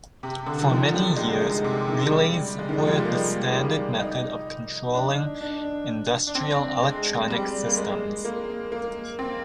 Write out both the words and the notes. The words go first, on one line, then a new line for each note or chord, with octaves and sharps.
For many years relays were the standard method of controlling industrial electronic systems.
C3
D3
F3
D#3
G3
G#3
G#3
C3
D#3
G3
G#3
D#3
F3
G3
G#3
A#3
G3
D#4
D4
D4
D4
C4
G#3
G3
A#3
G#3
A#3
A#3
C4